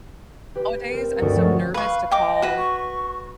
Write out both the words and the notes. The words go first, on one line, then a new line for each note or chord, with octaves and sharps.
nowadays, I'm so nervous to call
G4 B4
C4 A#4
D2 G2 D4 F#4 D#6 C#7
F3 A3 C4 C#4 F#4 C#5
B4 F5 C#6
D#5 G5 D6
F#4 B4
C#6